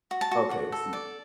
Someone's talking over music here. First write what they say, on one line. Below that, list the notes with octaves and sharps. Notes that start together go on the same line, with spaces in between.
Okay, I see.
F#4
A5
F#4
F#4
A4
D5